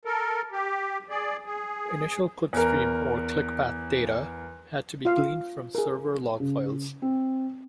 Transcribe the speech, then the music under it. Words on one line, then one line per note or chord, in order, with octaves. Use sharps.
Initial clickstream or click path data had to be gleaned from server log files.
A4 A#4
G4
G#4 D5
G#4
E2 A#4
F4 F5
G#4 A#4
C#3
C4